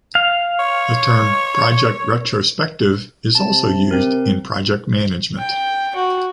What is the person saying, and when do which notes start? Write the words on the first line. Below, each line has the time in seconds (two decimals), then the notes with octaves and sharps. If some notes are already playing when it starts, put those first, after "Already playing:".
The term project retrospective is also used in project management.
0.15 F5
0.59 C#5
3.35 C3 A5
3.91 C4 A#4
5.38 G5
5.95 F#4